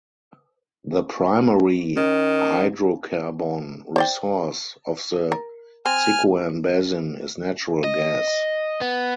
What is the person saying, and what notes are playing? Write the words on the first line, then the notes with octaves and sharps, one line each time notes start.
The primary hydrocarbon resource of the Sichuan Basin is natural gas.
D#3 C#4 D#5
C5 D5 G5
A#4
C4 G#5 F6
D#5
B3